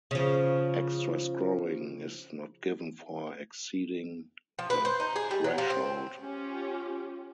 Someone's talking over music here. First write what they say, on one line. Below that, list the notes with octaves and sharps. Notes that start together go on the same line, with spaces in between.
Extra scoring is not given for exceeding the threshold.
C#3 F3
F3
B4
C5
D#4
G#4
G3
F#3
F3
C4
C#4 F4 G4